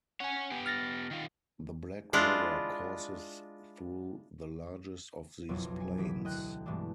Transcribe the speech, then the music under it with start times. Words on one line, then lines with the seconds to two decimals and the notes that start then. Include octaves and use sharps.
The Black River courses through the largest of these plains.
0.20 C#4 C#5 F#5 G#5
0.51 B3 G4
0.66 F6 A6 A#6
1.11 D#3 F4
2.13 G#3 D4 E4 F4
5.49 F#1 B1 F2 B2 F#3
5.80 G#5
5.98 G#1 E3 G4 G#4 B6 D7
6.25 D2 D#5 G5 F#6
6.66 G2 B2 E3 G#3 A3 D4